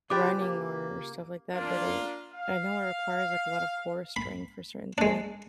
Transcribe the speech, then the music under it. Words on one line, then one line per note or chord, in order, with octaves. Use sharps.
running or stuff like that, but it I know it requires, like, a lot of core strength for certain things
C#3 F4 G4 B4 C5 D5 D6
A#3
A#3 D4 F4
F5
B5
G#3 D4